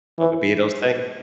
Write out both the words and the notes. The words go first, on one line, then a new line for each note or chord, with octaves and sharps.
Oh, the Beatles thing?
E3